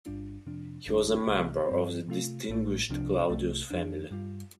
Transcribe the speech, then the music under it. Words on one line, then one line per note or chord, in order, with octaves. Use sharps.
He was a member of the distinguished Claudius family.
G1 G2 G3 D4 F4
F2 C3 F3 D4
G1 F2 D3 G3 D4
C2 C3 A3 F4
G2 G3 C4
C3 A3 F4
A1 A2 A3
C2 C3 F3 D4
C2 C3 A3
F2 F3 D4
G2 G3 F4